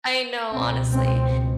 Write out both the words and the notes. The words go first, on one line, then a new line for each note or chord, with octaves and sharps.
I know, honestly,
C#2 B2 C4
C4